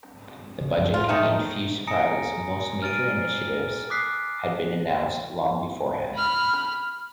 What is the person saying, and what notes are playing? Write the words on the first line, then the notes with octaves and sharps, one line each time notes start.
The budget contained few surprises: most major initiatives had been announced long beforehand.
C#3
F#2 F3 G3
A2 F4
D#3 A3 D#4
G#5 A#5 D#6 A#6 C#7 D7
F6 A6 D7 D#7
D6 D#6 F#6 B6 C7
B5 F6